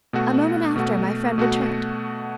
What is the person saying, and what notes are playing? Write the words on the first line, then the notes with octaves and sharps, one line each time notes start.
A moment after my friend returned.
B2 A3 F#4
B2 A3 F#4
B2 A3 F#4